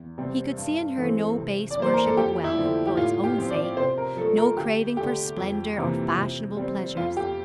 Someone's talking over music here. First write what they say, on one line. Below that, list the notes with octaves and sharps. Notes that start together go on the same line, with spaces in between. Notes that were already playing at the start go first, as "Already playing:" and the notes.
He could see in her no base worship of wealth for its own sake, no craving for splendour or fashionable pleasures.
Already playing: E2
C3 G3 C4
G2
E3 A3 C4
C3
D5
E3 A#3 D4 C5
A#4
A4
F2 G4
E4
D3 F3 A3
G4
A2 F4
G4
F3 C4
D5
C3 C5
A#4
F3 A3 A4
A#4
D2 G4
D3 A3 G4
F2
C3 E3 A#3
C3
G3 C4
F2 F4
G4